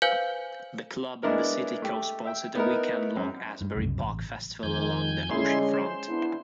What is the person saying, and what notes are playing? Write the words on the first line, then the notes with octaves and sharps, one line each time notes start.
The club and the city co-sponsored a weekend-long Asbury Park Festival along the oceanfront.
B4 C5 F5 G#5 G6
G#3 B3 D4 E4 A#4
A3 G4
E5 G5
B3 D#4 E4 A#4
F#2
G2
C2 F#2 C#3
A1
F2 D#3 G#5 G6
D3 G#3 C#4 E4 G#4 C6
C5
B3 D4 E4